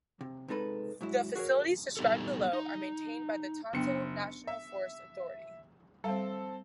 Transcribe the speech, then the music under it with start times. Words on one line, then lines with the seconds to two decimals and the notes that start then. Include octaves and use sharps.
The facilities described below are maintained by the Tonto National Forest authority.
0.21 C3
0.48 C3 G#3 D#4 A4 B4
1.01 G#2 F#3 E4
1.35 F#4 G#4 A#4 C#5
1.97 G3 B3 D#4 G4 A4
2.53 D#4
3.73 F#1 B3 D4 G5 C#7
4.47 E5
6.04 G3 C4 A4 F5 A5